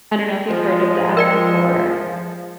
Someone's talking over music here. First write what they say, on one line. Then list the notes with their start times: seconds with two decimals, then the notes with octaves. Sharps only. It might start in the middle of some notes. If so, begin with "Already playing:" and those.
I dunno if you've heard of that before
0.48 F3 G#3
1.17 A#4 D5 G5